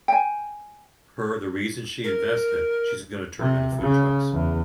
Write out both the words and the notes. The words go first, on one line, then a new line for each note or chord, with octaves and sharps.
Her the reason she invested- she's gonna turn 'em into food trucks.
G5 G#5
A#4
C3
C#3
E2